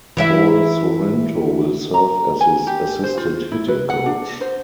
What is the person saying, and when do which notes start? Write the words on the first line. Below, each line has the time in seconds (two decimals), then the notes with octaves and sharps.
Paul Sorrento will serve as his assistant hitting coach.
0.17 E3 E4 E5
1.94 A#5
2.41 G#5
2.67 G4
3.04 C5
3.18 F4
3.52 E4
3.68 B4
3.90 F#5
4.06 D4
4.41 C5